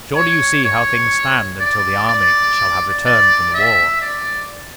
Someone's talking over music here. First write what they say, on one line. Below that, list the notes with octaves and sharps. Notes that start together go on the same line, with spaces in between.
Surely you see how things stand until the army shall have returned from the war?
C#5
C#5
D5
D5
D5
E5
D5